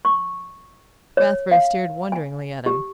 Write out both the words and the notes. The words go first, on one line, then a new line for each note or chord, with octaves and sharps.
Rathbury stared wonderingly at him.
C#6
C#5
F5
G#5
G4